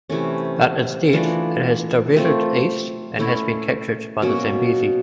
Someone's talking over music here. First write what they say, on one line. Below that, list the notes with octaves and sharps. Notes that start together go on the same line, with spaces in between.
But instead it has diverted east and has been captured by the Zambezi.
C3 E3 A3 C#4
E3 A3 D4 F4
A3 C4 F4
A3 C#4 E4
B2 F#3 A#3 C#4